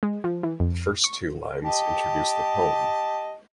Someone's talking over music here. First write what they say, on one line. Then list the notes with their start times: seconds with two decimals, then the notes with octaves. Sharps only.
The first two lines introduce the poem.
0.03 G#3
0.24 F3
0.43 E3
0.60 F2
1.04 C#6
1.64 G4 D#5 A5